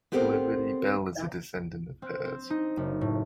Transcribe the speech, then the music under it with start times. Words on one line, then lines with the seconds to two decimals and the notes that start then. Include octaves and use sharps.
Liberty Belle is a descendant of hers.
0.12 B3 C4 G4 A4 A#4 C5
2.02 C4
2.25 C4
2.50 D#4
2.77 F#1
3.01 A2